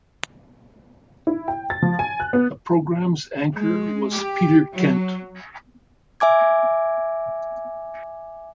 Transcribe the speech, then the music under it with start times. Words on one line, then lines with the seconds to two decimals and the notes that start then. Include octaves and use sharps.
The program's anchor was Peter Kent.
1.27 E4
1.48 G5
1.70 A6
1.82 F3
1.99 G#5
2.20 F#6
2.33 B3
3.56 G#3
4.16 G4
4.72 F#3
6.20 E5 G#5 D6 G#6